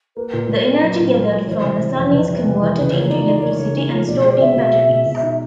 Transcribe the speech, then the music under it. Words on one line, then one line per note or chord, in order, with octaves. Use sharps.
The energy gathered from the sun is converted into electricity and stored in batteries.
A#3 B4
A#2
A#2
A#3
F#3
A#2
A#2
F#3
E3 C5 C#5
C3
C3
F2
C3 B4
G3
C3
E3
C#3 B4
F3 C#5
D#4 D5
D#4 D5
A#3 C#5
C#3
D#4
F3
B2 D5
G#3
B2 E5
B2
G#3
B2
B2
D#4